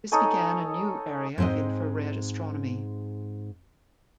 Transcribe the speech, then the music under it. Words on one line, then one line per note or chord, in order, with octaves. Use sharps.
This began a new area of infrared astronomy.
D#4 A4 C#5 G#5
G#2 G#3 C4 C5 D#5